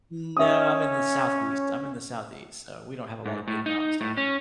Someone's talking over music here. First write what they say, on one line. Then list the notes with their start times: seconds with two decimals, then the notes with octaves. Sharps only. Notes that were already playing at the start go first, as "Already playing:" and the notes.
No, I'm in the Southeast I'm in the Southeast, so we don't have a lot of big mountains down here.
0.37 C#4 E5 D#6
3.26 G#2
3.48 A2
3.66 D#4
4.01 A2
4.17 C#4